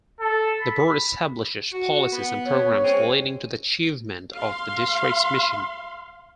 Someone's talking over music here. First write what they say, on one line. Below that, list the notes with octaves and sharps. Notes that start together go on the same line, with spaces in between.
The Board establishes policies and programs leading to the achievement of the District's mission.
A4
B5
F#4
B3
C#5
G#3 C4 C#4
F5 C6